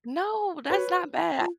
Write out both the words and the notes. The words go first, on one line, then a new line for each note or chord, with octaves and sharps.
No, that's not ba
F#4 B4 C#5
F4